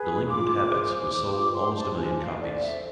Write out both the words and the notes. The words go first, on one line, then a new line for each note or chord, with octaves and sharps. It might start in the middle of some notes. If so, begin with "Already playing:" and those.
"Delinquent Habits" was sold almost a million copies.
Already playing: G#4 B4
F4 D6
G#4 C5
F4 D6
D6
G#4 C5 C6
A5
F4 G#5
F5
A4 C5 D5
E5